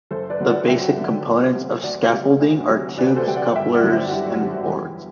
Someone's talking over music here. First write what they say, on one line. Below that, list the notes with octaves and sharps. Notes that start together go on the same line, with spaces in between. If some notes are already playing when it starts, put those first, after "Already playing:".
The basic components of scaffolding are tubes, couplers and boards.
F#1 A4 C5
B4 D5
F#2 D3 F#3
D5 F#5
F#1 E5 G5
F#2 D3 F#3
D2
C3 F#3
D2 D5 F#5
C3 F#3
D2
C3 F#3
D2 B4 D5
A4 C5
C3 F#3 G5
D5 F#5
G1 E5 G5
D5 F#5
F#2 D3 F#3
C5 E5
F#4
G1 E4 G4
F#2 D3 F#3
E2